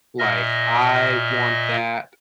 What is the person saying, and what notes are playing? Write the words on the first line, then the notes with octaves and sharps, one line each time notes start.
like, "I want that
A#2 D#5 E5 F6 A#6